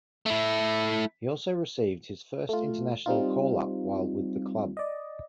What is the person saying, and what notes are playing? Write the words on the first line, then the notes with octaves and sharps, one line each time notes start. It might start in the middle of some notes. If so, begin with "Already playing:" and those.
He also received his first international call up while with the club.
A3 E4
A3 F4
G3 C4 D#4 F4
D5 D#5